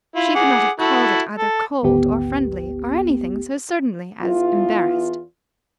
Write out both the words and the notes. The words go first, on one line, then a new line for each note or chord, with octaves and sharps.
She could not have called it either cold or friendly, or anything so certainly as embarrassed.
E4 F4
G#4 F#5 D6
E4 F#4 A4
A4
G#1 D2 B3 G4
E2 F4